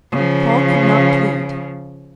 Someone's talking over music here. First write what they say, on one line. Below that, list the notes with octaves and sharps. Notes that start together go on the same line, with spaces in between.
Paul could not plead.
C#3 F3